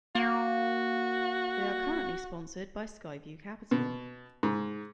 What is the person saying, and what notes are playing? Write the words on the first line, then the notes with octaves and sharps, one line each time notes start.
They are currently sponsored by Skyview Capital.
A#3 F#4
B2
G#2